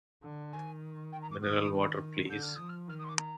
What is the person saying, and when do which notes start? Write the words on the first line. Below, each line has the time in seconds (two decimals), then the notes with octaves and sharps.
Mineral water please!
0.23 D3
0.52 D#3 G#5
1.12 G5
1.22 A#5
1.31 D6
1.40 D#3 D#6
2.29 D3 G6
2.42 F6
2.55 F3 D#6
2.69 F6
2.88 D#3 F6
2.98 D#6
3.04 C6
3.08 D6
3.18 A#5